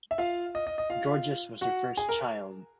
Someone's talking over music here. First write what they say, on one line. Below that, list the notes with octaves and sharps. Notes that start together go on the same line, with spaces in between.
Georges was their first child.
E5
F4 F5
D#5
D#5
D#5
F4 F5
F#4 F#5
G#4 G#5
A#4 A#5